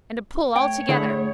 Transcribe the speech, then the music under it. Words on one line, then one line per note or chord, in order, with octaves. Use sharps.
And a pull all together.
A3 C#5 G5
D3 E4 G#4 F#5